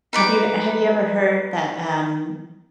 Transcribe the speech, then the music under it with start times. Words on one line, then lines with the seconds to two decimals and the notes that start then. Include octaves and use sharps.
Have you have you ever heard that, um,
0.13 D#4 B4 D6